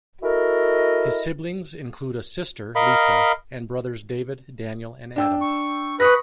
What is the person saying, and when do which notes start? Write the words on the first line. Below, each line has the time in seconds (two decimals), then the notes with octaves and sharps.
His siblings include a sister, Lisa, and brothers David, Daniel, and Adam.
0.22 E4 F#4 A4 A#4 D#5
2.75 A#4 D#5 F5 B5
5.16 D4 G5 E6
5.41 C#6
6.00 B4 C#6 D#6 A#6